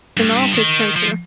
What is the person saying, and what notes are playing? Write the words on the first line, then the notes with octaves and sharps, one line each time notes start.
an office printer.
G2
F3
D#3
F3